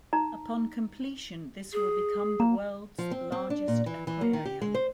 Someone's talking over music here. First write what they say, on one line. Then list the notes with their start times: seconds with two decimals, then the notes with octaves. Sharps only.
Upon completion, this will become the world's largest aquarium.
0.13 D#4 A#5
1.73 G#4
2.40 A#3 A#5
2.98 F3
3.11 C4
3.32 C4
3.50 D4
3.68 A#2
3.86 E3
4.07 E3
4.21 A#3
4.33 D#3
4.45 G4
4.61 G#3
4.74 C5